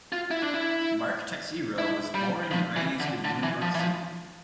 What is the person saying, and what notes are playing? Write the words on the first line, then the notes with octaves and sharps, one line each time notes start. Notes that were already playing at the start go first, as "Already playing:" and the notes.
Mark Texeira was born and raised in New York City.
F4
E4
D4
E4
E4
G3
F3
E3
D3
D3
E3
F3
E3
F3